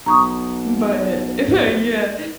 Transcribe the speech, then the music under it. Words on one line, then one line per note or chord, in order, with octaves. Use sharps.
but if I Yeah.
B1 A#5 C#6 D#6